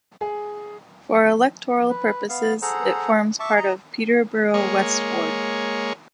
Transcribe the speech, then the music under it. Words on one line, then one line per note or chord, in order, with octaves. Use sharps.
For electoral purposes it forms part of Peterborough West ward.
G#4
B4
B3 F5
G#4 A4 C5 F#5 A#5
E5 A5 C#6 D6
D#5 A#5
G#3 A#3 C#5